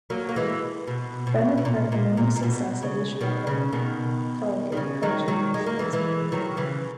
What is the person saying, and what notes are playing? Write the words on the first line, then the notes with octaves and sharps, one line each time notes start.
Bennett had enormous success at each level of collegiate coaching in Wisconsin.
F#3 A#3
A#3
E3 G#3
B2
B2
B2
A#2
A#2
A#2
A#2
B2
C#3
B2 D#3
C#3
B2 D#3
D#3
C#3
D#3 F#3
D#3 F#3
G#3
A#3
E3 G#3
E3 G#3
D#3 F#3
C#3 E3